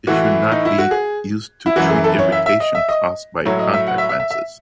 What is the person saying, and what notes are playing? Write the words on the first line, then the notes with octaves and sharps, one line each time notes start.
It should not be used to treat irritation caused by contact lenses.
A2 E3 F#4
D#4
E4
F#4
G#4
E4
F#2 E3 F#4
G#4
A4
C#5
E5
E5
D#5
E5
D#5
A2 F#3 C#5
D#5
E5
F#5
E5
E5
E5
E5